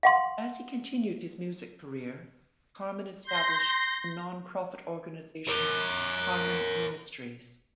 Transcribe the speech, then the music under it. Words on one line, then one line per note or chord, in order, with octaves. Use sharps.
As he continued his music career, Carman established the nonprofit organization Carman Ministries.
F5 F#5 C6
C6 G6 A#6
A#4 C#5